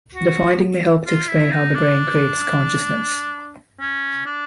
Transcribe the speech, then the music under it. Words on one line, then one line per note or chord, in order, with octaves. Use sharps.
The finding may help to explain how the brain creates consciousness.
F#4
F4
E4
D#4
D4
C#4
D4